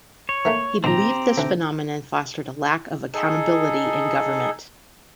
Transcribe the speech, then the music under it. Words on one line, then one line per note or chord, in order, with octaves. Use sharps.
He believed this phenomenon fostered a lack of accountability in government.
C#5
E3 A3 A#3
A#2 D#3 C4 G4 A#5
D2 E3
D#4 G#4 A4